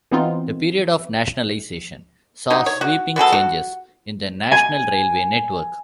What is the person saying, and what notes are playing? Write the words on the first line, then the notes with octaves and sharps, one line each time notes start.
The period of nationalisation saw sweeping changes in the national railway network.
E3 B3 C4 D#4 F4
F#3 D#4
C#5
F#4
B3 F#4 G#4 A4
F#4
G#5